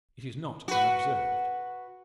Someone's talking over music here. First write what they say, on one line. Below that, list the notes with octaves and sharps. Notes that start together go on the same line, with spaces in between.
It is not unobserved.
F#4 B4